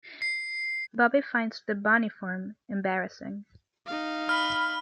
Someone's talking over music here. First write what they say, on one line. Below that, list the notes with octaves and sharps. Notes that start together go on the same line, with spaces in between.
Bobby finds the bunny form embarrassing.
C7
D#4 F5
B5 F6